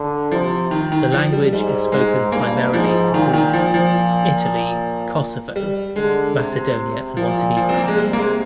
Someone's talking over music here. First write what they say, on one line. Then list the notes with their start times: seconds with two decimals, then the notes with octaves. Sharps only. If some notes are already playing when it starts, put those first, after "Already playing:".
The language is spoken primarily in Greece, Italy, Kosovo, Macedonia and Montenegro.
Already playing: D3
0.32 C3 F3
0.71 D#3
0.92 D#3
1.12 F3
1.32 G3
1.52 G#2 G3
1.92 G#2 G#3
2.32 G2 A#3
2.73 G#2 F3
3.13 A#2 D#3
3.34 D#3
3.53 F3
3.74 F3
5.56 G3
5.96 D3 G#3
6.36 C3
7.17 A#2 F3
7.57 F3
7.69 C4
7.78 A#3
7.88 G#3
7.96 C3 G3
8.13 A#3
8.17 G#3